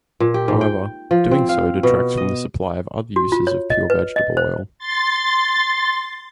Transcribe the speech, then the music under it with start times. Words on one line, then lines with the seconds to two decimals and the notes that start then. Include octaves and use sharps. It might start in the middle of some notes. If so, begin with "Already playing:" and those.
However, doing so detracts from the supply of other uses of pure vegetable oil.
0.20 A#2
0.34 G4
0.48 G#2
0.61 G5
1.11 F3
1.31 C4
1.49 F5
1.83 B2
2.17 D#5
3.16 F#4
3.32 F4
3.47 C#5
3.70 D#5
3.90 B4
4.16 D#5
4.37 C5
4.79 C6 A6